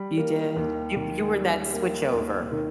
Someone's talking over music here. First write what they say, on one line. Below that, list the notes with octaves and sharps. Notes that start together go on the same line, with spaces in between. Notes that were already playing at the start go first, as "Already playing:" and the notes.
You did? You w You were that switchover,
Already playing: G3 B5
A#3
D#2
D#3
G3
A#3
D#2
D#3